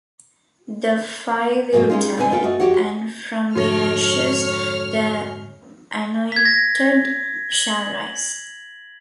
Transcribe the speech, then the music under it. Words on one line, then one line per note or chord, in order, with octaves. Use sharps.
The Five will die, and from their ashes the Anointed shall rise.
G#2 C3 F#3 G#3 A#3
G3 G#3 C4 C#4 D#4 F4
A#2 D3 C4 B4 C5 G#5
G2 A3 F4 A4 G5
A3 F#4 D#5
F2 C#3 F#4 G4 C#5 F#5
F2 G#2 D3 F#4 A4 C#5 F6 A#6
G#6 B6
A#6
F#7